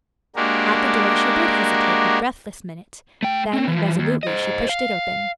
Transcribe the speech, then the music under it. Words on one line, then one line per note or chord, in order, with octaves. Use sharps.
At the door she did hesitate a breathless minute, then, resolutely, she pushed it open.
G#3 A#3 D4 F#4 G4 A#4
A3 G5
C4 C#4
E3 F3
D#2
C5 D#5
F5